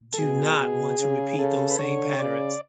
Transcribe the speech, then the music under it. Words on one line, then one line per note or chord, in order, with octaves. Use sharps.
do not want to repeat those same patterns.
A4
B2 G#4
B2
C#3
C#3 A4
B4
D3 C#5
C#3 D5